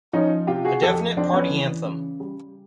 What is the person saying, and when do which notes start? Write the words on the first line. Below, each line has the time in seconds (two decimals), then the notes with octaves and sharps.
A definite party anthem.
0.13 F3 C#4 D#4
0.47 C3 F4 G4
0.64 F#4 G#4
0.82 F2 G4 A4
1.17 F2 C4 D4
1.33 B3 C#4
1.51 E3
1.85 C#3
2.20 G3